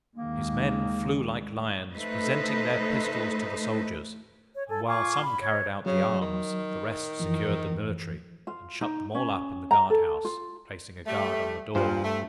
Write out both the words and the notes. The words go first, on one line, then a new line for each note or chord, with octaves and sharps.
His men flew like lions, presented their pistols to the soldiers, and while some carried out the arms, the rest secured the military, and shut them all up in the guard-house, placing a guard on the door.
D#2 D#3 G#3 A#3
A3 D#4 A4 B4 C5 D#5
C#5
A4 G#5
F4 G#5 C#6 D6
B5
C#5
C#3 F#3
D#3
F#2 E3 F3
F4
D#4
C#4
A#5
A4
F4
G3 A3
G2 A#2 F3 C5
A3